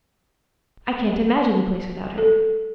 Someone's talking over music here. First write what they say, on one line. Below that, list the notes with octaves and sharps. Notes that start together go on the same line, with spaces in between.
I can't imagine the place without her.
A4